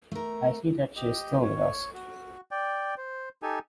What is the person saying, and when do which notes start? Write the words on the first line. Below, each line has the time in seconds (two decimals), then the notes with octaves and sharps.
I see that she is still with us.
0.12 A3 A#4
0.96 G4 D#5
1.42 C#5
1.94 F#4
2.51 D5 G5
2.97 C5
3.42 D#4 G4 A4 G#5